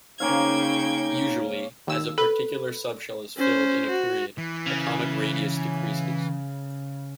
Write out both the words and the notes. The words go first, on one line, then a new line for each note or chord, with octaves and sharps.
Usually, as a particular subshell is filled in a period, atomic radius decreases.
C#3 A#3 C#4 D#4 F5 G5 G#6
D#2 E6
A4 B4
C#4 C5
F#4
E3
C#3